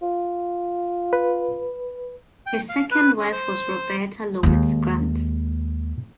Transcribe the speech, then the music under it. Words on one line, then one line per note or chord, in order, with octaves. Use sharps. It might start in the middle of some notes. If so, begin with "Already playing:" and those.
His second wife was Roberta Lowitz Grant.
F4
B4
G5
F5
B4
C#4
C5
D#2 G#3